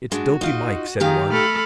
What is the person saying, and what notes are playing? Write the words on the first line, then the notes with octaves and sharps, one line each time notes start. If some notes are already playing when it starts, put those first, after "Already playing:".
"It's Dopy Mike," said one.
G#3 D4 F#4
D#4 F4 D#5
D#3 D#4 G4 G#4 F5
A3 A4 B5 F6